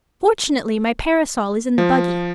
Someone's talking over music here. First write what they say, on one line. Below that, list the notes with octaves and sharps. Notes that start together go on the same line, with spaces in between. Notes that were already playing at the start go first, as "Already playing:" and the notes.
Fortunately my parasol is in the buggy.
F3